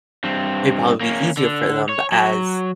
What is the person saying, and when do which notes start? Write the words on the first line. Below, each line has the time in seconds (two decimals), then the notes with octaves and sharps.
it'd probably be easier for them. But as
0.24 G2 C4
1.01 A#3 C#4
1.37 D3
1.89 C#5
2.12 F#3